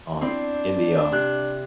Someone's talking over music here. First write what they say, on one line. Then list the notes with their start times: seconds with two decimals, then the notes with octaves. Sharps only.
on in the, um,
0.21 C4 D4 E4 C5
1.12 C3 F#6